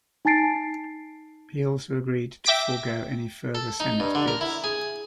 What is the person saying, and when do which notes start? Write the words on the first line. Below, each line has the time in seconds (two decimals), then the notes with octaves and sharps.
He also agreed to forego any further senate bids.
0.25 D#4 G#5 A5 A6 C7 D7
2.46 E5 G5 D6 A#6 B6 D7
3.55 A4
3.80 D#4
4.00 G2
4.15 D3
4.28 A#4
4.41 E4
4.64 G#4